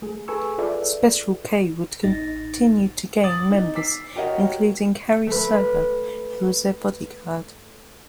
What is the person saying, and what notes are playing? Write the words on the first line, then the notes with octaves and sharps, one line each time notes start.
Special K would continue to gain members, including Harry Slugger, who was their bodyguard.
A3 G#4
G#4 A4 B4 G#5 C#6 E6
F4 G#4 A4 B4 D5 E5
A1 A2 D#4 A6 A#6
D6 D#6 A6 F#7
D#4
D6 E6 B6 C7
F#4 G4 A#4 C#5 D#5 F#5
A3 B4